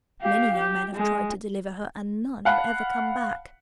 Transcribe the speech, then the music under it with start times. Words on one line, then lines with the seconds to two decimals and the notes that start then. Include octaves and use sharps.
Many young men have tried to deliver her, and none have ever come back.
0.22 G4 F5
0.54 G4
0.95 G#3
2.45 F5 F#5 A5 B5